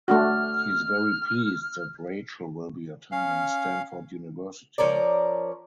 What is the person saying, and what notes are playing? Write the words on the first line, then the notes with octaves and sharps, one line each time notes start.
He is very pleased that Rachel will be attending Stanford University.
A3 D4 F#4 F6
C#4 F5
F3 C#4 A#4 D5